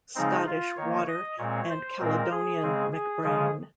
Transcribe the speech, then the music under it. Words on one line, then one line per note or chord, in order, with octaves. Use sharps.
Scottish Water and Caledonian MacBrayne.
C#3 F3 G#3 C4 D#4
F4
D#3 A#3 C#5
D#5
A#2 G#3 C4 C#5
C5
A#2 G#3 C4 A#4
G#4
C#3 G#3 C4
G#4
C#3 F3 G#3 G#4